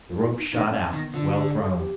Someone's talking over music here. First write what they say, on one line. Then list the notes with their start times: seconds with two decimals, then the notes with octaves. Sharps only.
The rope shot out, well thrown.
0.09 F4
0.23 E4
0.38 D#4
0.53 D#3 D4
0.68 C#4
0.84 C4
0.93 D#3
0.98 B3
1.13 D3 F4
1.23 G4
1.28 F#4
1.36 G4
1.43 G#4
1.59 A4
1.73 G4